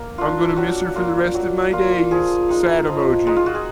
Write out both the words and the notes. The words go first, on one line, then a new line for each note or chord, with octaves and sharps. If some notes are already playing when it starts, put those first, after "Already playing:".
I'm gonna miss her for the rest of my days, sad emoji,
Already playing: A#3
D4 F4
F#3 F#4
A#3 F4
F#3
A#3 F4
F3 G#4
G#3 D#4
F3
G#3 D#4
F4
F#4
G#4